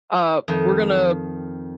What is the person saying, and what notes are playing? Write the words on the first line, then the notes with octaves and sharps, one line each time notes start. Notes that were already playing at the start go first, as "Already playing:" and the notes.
Uh, we're gonna,
F2 D#3